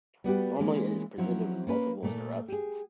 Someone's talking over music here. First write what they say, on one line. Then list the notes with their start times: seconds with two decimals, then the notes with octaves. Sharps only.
Normally it is presented with multiple interruptions.
0.24 G3 B3 F#4 G4
0.59 E3 G#3 A#3 C#4
1.18 F3 F#3 C4 C#4 E4
1.67 A#3 C#4 B4
2.02 A#2 A3 A#3
2.48 G4 G#4